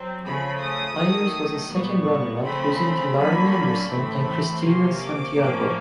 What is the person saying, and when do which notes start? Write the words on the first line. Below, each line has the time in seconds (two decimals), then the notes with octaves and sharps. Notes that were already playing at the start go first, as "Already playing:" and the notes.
Meiers was a second runner-up, losing to Lauren Anderson and Christina Santiago.
Already playing: F#3 C4
0.25 C#3 F3 A3 B5
0.62 D#6
0.98 D#3 F#3 A3
1.70 A#2 G3 B3 C#6
2.44 C#3 F3 A3 C4 B5
3.16 D3 F#3 A#3 C#4 B5
3.89 A2 E3 A3 C4 B5
4.62 C3 F3 A#3 C#4 C6
4.99 D6
5.35 A2 F3 A#3 C#4